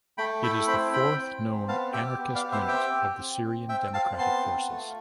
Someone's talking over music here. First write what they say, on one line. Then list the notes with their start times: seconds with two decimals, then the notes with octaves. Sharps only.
It is the fourth known anarchist unit of the Syrian Democratic Forces.
0.18 A3 G5 B5
0.43 E4 G5 B5
0.68 C4 G5 B5
0.93 C4 G5 B5
1.18 C4
1.43 C4
1.68 B3 F5 A5
1.93 G4 E5 G5
2.19 B3
2.35 D5 F5
2.44 G4
2.52 C5 E5
2.68 C4 E5 G5
2.94 C4
3.19 C4
3.43 C4
3.69 C4 E5 G5
3.94 C4 F5 A5
4.18 B3 A5 C6
4.44 F4
4.69 A3